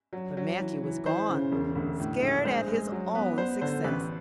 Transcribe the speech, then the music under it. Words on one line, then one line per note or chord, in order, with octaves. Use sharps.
But Matthew was gone, scared at his own success.
F#3
F#3
E3
E3
E3 C5
C#3
E1
D2
A2
A#1
G#3 C5
G#3
F#3
B3
B3 C5
D3 C5
A1 B4